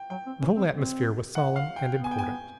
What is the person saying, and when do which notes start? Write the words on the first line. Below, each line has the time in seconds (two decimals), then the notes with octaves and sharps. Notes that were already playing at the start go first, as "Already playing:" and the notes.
The whole atmosphere was solemn and important.
Already playing: G5
0.10 F#3 G5
0.26 C4
0.41 C#4
0.57 C4
0.73 C4
1.35 F#5
1.56 F5
1.76 G5
1.98 B3
2.04 G#5
2.11 G5
2.19 G#5